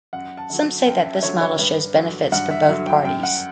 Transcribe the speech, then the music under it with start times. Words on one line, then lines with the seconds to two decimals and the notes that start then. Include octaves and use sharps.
Some say that this model shows benefits for both parties.
0.13 F#2 F#5
0.37 A5
0.50 D3 F#3
0.86 F#2 G5
1.04 E5
1.22 D3 F#3 C#5
1.41 C#5
1.59 G2 B4
1.95 D3 F#3
2.32 G2 F#5
2.51 E5
2.68 D3 F#3
2.87 G5
3.05 F#2 G5
3.23 F#5